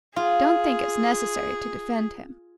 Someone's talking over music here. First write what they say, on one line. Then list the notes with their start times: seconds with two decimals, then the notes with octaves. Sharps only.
Don't think it's necessary to defend him.
0.16 F4 G#4